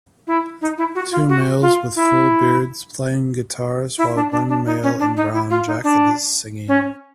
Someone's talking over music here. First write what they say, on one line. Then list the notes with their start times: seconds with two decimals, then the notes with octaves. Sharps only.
Two males with full beards playing guitars while one male in brown jacket is singing.
0.27 E4
0.61 D#4
0.78 E4
0.95 F#4
1.12 F4
1.29 F#4
1.62 F4
1.96 E4
3.98 E4
4.15 D4
4.31 D4
4.49 D4
4.66 D#4
4.83 C#4
4.99 D4
5.16 D#4
5.33 E4
5.50 F4
5.67 D#4
5.84 D4
6.68 C#4